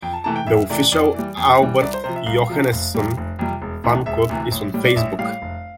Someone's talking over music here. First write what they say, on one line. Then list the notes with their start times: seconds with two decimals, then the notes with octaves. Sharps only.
The official Albert Johanneson Fan Club is on Facebook.
0.02 F2 G5
0.13 A5
0.24 C3 E3 A3 A5
0.36 G5
0.47 F2 E5
0.69 C3 E3 A3 D5
0.92 F2 D5
1.14 E3 G3
1.37 F2
1.59 E3 G3
1.81 C2 D5
1.94 C5
2.04 C3 F3 C5
2.16 E5
2.26 C2 F5
2.50 C3 F3
2.72 F1
2.95 F2 C3 G3
3.17 F1
3.39 F2 C3 G3
3.62 E1
3.84 D2 C3 E3
4.06 E1 E5
4.29 D2 C3 E3
4.52 A1
4.74 A2 G3
4.84 D5
4.96 A1 E5
5.19 A2 G3 F5
5.42 F1